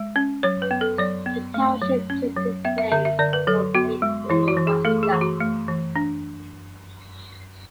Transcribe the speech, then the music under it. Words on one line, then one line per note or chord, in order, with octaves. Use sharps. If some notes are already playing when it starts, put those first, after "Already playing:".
The township took its name from Lake Minnewaska.
Already playing: G#3
C#4
F#3 C#5
B4
B3
A4
F#3 D5
B3
A3
F#3
C#4
F#3
B3 E5
E5
D3 E5
E5
D3 D5
B4
F#3 A4
B3 F#4
G#3
E3 E4
F#4
E3
G#4
A3 A4
G#4
E3
F#4
A3
E3
D4